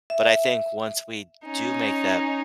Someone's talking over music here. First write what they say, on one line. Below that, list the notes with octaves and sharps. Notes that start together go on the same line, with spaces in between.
but I think once we do make that,
E5
C#4 D#4